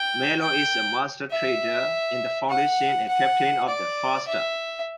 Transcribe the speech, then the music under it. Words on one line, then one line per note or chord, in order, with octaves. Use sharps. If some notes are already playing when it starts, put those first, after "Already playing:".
Mallow is a Master Trader in the Foundation and captain of the "Far Star".
Already playing: G5
G5
E5
F#5
F#5
D5
E5